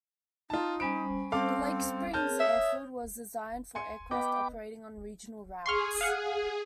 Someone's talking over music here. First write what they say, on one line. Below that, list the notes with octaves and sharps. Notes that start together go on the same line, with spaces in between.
The Lake Springs airfield was designed for aircraft operating on regional routes.
D#4 F4 A5
G3 C#4 C5 G#5 B5 D7
C4 A4 F5 D6
C4 G#4 A#4 C#5 A5 F6 G6
E5 D#6
G#5 C6 C#7
B3 D#5 G5 B5 D6
G#4 C6 C#6 F6
F5 F#5